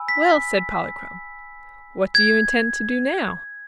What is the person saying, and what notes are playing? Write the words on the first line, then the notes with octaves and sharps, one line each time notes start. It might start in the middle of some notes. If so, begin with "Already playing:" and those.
"Well," said Polychrome, "what do you intend to do now?"
Already playing: G#5 B5 E6
B6
G#6